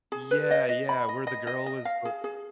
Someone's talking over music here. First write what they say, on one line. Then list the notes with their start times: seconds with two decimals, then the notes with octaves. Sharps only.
yeah, yeah. Where the girl was th
0.12 G#4
0.31 B4
0.51 D#5
0.69 D#5
0.89 B5
1.09 D#5
1.27 D#5
1.47 D#5
1.66 D#5
1.85 F5
2.05 G#4
2.24 G#4